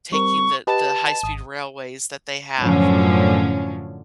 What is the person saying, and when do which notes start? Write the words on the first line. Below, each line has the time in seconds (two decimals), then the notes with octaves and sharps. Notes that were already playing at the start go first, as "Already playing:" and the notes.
taking the the high-speed railways that they have,
0.12 G3 C4 A#4 C#6
0.67 G4 B4 D#5 A5
1.23 G#1 D#6
2.59 F#2 A2 D3 F3 F#3 C#4